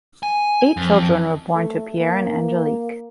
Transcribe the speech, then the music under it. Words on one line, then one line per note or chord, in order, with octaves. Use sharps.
Eight children were born to Pierre and Angelique.
G#5
F2
A3
A#3